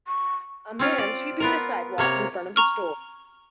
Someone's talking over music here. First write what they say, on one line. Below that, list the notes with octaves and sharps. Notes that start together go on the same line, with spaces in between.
A man sweeping the sidewalk in front of a store.
C#6
C4 C#4 F4
D5
B3 F4 A#4
C3 A#3 C#5 A#5
A#5 C#6 F6